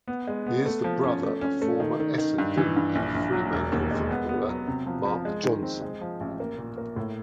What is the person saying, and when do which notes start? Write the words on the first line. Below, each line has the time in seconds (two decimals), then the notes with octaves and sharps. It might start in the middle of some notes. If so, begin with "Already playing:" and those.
He is the brother of former Essendon and Fremantle footballer Mark Johnson.
0.07 B3
0.27 G#3
0.46 B3
0.66 A3
0.84 F3
1.04 C#4
1.23 A3
1.41 C#4
1.62 A3
1.80 D#3
2.00 D#3
2.18 D#3
2.38 G2
2.57 E3
2.76 G2
2.95 A#1
3.15 A#1
3.33 F#3
3.53 E1
3.72 D#2
3.91 G#3
4.11 B3
4.29 B3
4.49 F#3
4.67 C3
4.87 F3
5.05 F3
5.25 G#3
5.43 D#3
5.63 C4
5.82 G#3
6.01 F3
6.20 A1
6.40 A#3
6.58 A#2
6.78 A#3
6.96 A2